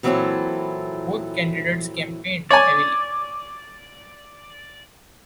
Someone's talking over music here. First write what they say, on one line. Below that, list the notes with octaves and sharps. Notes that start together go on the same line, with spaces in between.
Both candidates campaigned heavily.
A#2 E3 F#3 C4 E4 A4
C#5 D5 G#5